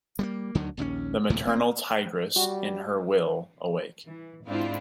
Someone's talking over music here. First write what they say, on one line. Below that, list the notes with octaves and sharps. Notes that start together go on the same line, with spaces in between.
The maternal tigress in her will awake.
G3 G#3 A#3
D2 D3 D#3 F#3
A#1 D#2 C4 C#4
D2 A2 C3 E3
D1 A#3 C4
G3 F#4
E3
G#2 C4 D4 E4 F4